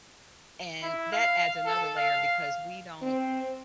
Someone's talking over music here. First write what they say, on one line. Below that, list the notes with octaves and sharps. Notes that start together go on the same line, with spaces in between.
and that adds another layer because we don't
E4
F5
A4
F5
C4